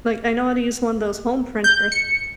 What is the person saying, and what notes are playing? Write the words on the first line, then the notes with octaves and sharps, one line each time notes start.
Like, I know how to use one of those home printers
G6
C#7